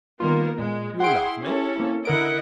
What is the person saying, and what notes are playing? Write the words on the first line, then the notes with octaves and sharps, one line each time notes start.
"You love me?"
D#3 G3 A#3 B3 F4 A#4
A#2 G#3
E4 G#4 F#5 G5 C6 D7
C#4 E4 G4 A4
A#3 C4 E4
D3 E4 A#4 D#5 F#5 D7